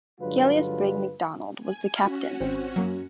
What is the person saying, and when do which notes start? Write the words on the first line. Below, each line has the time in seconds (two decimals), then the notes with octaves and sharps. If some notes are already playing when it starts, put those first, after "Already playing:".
Gilleasbuig Macdonald was the captain.
0.21 G2 D3 F#3 G#3 F4 B4
1.60 G#5
1.96 C#4 F#4 F5 F6 B6
2.40 G#1 C4 G5
2.76 F#2 F#3 A#3